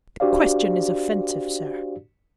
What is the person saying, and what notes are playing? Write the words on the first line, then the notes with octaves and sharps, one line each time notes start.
"The question is offensive, sir."
D4 F#4 G4 C5 D5 F5